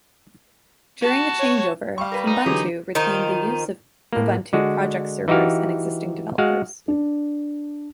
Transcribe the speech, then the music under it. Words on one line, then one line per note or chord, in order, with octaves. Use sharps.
During the changeover, Kubuntu retained the use of Ubuntu project servers and existing developers.
F#4 A5
C#5
G3 F5 C#6
A#4 B4
D#4
D3 E3 F#3 G4 G#4
D#3 F3 D#4
A2 A#3
D3 G#3 F#4
E3 D#4 F#4 G4 F5
G#3 F#4 F5 F#5
D4